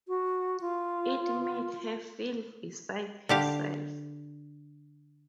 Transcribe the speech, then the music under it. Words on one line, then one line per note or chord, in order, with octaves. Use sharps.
It made her feel beside herself.
F#4
F4
D3 G4 F5